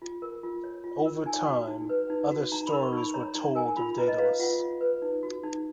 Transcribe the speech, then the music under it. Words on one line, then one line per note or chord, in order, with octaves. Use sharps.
Over time, other stories were told of Daedalus.
F4
A#4
F4
C#5
F4
A#4
D#4 G#5
F#4
D#4
B4
D#4
F#4
D#4 A#5
A#4 B5
C#6
D#4
B5
C#5 A#5
D#4 A#5
A#4 G#5
F4 B5
B4 A#5
D#5
B4 F5
F4 F#5
F4
B4
D#4
F#4
D#4